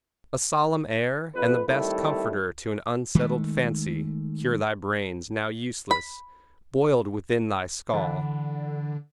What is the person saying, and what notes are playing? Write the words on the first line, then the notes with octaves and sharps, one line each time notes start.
A solemn air, and the best comforter To an unsettled fancy, cure thy brains Now useless, boiled within thy skull.
F2 B4
D#3 G3 A3 C4 E4
D#3 G#3 A3
B5
D3 E3 F#5 B5